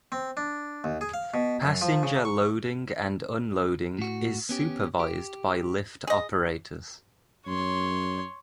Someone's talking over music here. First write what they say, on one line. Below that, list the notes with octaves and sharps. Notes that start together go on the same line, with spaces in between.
Passenger loading and unloading is supervised by lift operators.
C4
D4
D#2
G#4
F5
B2
F#2
F3
C#3
C#6
A2 F#4
B3 C#4 G4
G4
G#4 D#5
F#2 C#5 C6